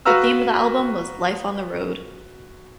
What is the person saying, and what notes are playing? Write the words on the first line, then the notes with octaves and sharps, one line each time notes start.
The theme of the album was life on the road.
F#4 B4 F5 A#5 E6 F6